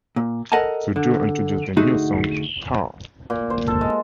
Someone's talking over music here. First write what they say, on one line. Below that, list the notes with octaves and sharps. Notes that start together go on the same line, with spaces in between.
The duo introduced their new song, PoW!
A#2
A4 A#4 D#5 F#5 G#5 A5
D3
D3 A3 D#4 F#4 G#4
A#2
C5
A4
G#3